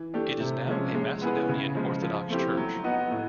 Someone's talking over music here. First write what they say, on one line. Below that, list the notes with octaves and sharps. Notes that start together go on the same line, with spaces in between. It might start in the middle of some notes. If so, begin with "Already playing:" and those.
It is now a Macedonian Orthodox Church.
Already playing: E3
A3 D4 G4
C3
F3 G#3 C#4
G#3
B3 E4 G#4 B4
C#3
F3 G#3
F3
A3 C4 E4 G4
F#3
B3 D#4 F#4
A2